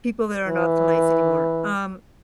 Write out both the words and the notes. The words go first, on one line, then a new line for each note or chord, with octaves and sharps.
people there are not so nice anymore. Um,
E3